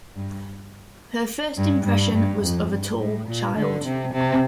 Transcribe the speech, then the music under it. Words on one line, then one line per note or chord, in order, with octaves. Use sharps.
Her first impression was of a tall child.
G2
G2
G2
G2
F2
G2
A2
A#2
D3
C3
C3